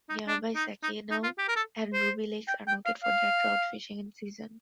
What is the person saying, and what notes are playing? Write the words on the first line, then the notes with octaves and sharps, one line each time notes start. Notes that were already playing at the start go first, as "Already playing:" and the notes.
Nearby Sakinaw and Ruby Lakes are noted for their trout fishing in season.
D#4
D4
D#4
D#4
D#4
F4
G4
A#4
A4
C5
G5
G5
F5
F5